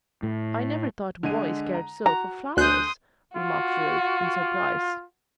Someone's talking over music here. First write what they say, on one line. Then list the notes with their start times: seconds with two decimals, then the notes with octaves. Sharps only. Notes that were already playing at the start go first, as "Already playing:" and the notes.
"I never thought boys cared so for flowers," remarked Ruth, in surprise.
0.23 A2
1.23 D3 G#3 D#7
1.74 A#5
2.06 F#4 A#5
2.57 D2 G#5 C6 D#6 F#6 G6
3.36 F4 F#4